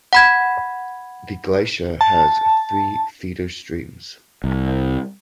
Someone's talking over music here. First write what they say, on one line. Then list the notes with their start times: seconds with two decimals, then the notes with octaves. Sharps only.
The glacier has three feeder streams.
0.13 F#5 B5 G#6
2.01 A5
4.44 C2